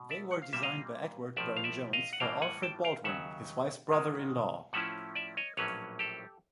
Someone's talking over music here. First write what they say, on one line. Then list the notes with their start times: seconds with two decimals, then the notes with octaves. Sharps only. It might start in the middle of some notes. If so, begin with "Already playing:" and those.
They were designed by Edward Burne-Jones for Alfred Baldwin, his wife's brother-in-law.
Already playing: B2
0.10 D5 E5
0.31 F#5
0.42 F5
0.53 A#2 G3 A#3 E5
0.63 D#5 F5
1.36 A#1 A2 F3 D5 E5
1.57 F5
1.64 D5 E5
1.93 D#5 F5
2.13 F#5
2.20 A2 E3 G3 A#3 F5 G5
2.42 F#5 G#5
2.62 G5 A5
2.84 F5 G5
3.04 D#2 C#3 F#3 E5 F#5
3.89 G#2 D#3 G#3
4.73 A2 F3 A3 C#4 E4 E5 F#5
5.15 D5 E5
5.37 C#5 D#5
5.57 A#1 A2 F#3 A#3 C#4 B4 C#5
5.99 G4 A4